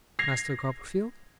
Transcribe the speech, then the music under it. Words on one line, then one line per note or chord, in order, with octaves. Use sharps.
'Master Copperfield?'
G#6 A#6 C7 F7